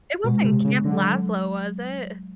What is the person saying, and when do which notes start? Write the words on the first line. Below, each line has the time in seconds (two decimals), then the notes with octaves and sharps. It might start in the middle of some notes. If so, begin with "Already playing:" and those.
It wasn't Camp Laszlo, was it?
0.24 B2 G#3
0.44 C3
0.65 C#3
0.84 D3 F#3